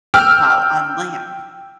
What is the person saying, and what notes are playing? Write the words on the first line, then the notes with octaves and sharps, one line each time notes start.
while on land
G5 E6 F6